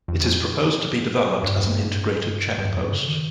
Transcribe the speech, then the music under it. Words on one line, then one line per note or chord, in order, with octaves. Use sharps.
It is proposed to be developed as an Integrated Check Post.
F2
F2
G2
F2
G2
G2
G2
F2
G2
C#3
D#3